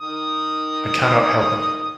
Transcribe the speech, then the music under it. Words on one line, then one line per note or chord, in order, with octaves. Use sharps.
I cannot help it.
D#3 D#6